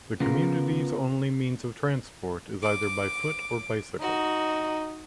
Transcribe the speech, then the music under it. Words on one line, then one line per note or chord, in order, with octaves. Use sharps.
The community's only means of transport is either by foot or bicycle.
C#3 B3 F4 A#4
D6
D#4 F#4